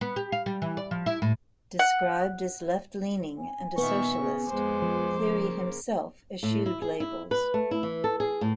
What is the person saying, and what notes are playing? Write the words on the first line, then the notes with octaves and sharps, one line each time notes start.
Described as left-leaning and a socialist, Cleary himself eschewed labels.
B3
G4
F5
G3
E3
D5
F3
E4
A2
F#5
G#5
A#2 D#3 B3 E5 C#6
C#3
F2 G#3 B3 C5 D6
F3
C#3 A#3
A2
E4
G#4
E4
B4
A3
E4
E3
A4
G#4
A2